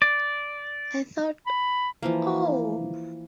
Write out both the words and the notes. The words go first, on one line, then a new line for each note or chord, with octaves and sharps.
I thought, 'Oh!
D5
B5
E3 F3 A#3